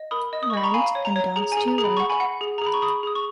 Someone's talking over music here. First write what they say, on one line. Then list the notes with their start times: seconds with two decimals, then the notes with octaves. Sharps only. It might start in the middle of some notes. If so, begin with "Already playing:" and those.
Grant and Don Stewart.
Already playing: D#5
0.11 A#4 B5 D#6
0.33 D#5
0.43 D#6
0.50 C#6
0.54 D#5 B5
0.63 A#5 C#6
0.74 F5 G#5 B5
0.95 C#5
1.05 A#5
1.16 C#5
1.36 G#4 A#5
1.52 G#5
1.57 G#4
1.68 A#5
1.78 G#4
1.84 B5
1.97 F#5 C#6
2.09 G#5 B5
2.20 F#5
2.41 G#4
2.58 A#5
2.62 G#4 B5
2.74 C#6
2.82 G#4 B5 D#6
3.03 G#4 D#6
3.15 C#6